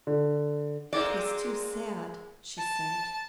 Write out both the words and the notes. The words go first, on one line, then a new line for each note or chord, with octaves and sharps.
"It was too sad," she said.
D3
G#3 A#3 C4 D5
A5